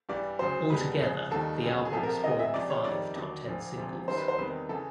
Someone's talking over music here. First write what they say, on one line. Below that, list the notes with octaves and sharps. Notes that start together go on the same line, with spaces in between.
Altogether the album spawned five top-ten singles.
G2 E3 G3 D5
D2 C#3 F#3 C5
E2 B2 G3 B4
C#2 C#3 F3
D#2 D#3 G3 A4
D2 C#3 F#3
G#4
C2 C3 F3 A4
A#4
D2 C3 E3 D#5
E5
C#2 C3 F3 D5
C#5
F2 C3 D#3 G3 D5
D#2 D3 F#3
D2 D3 F3
D2 C3 F3
F#2 D#3 G3 C5
B4
C5
E2 C3 D#3 G3 B4
C#3 E3 A4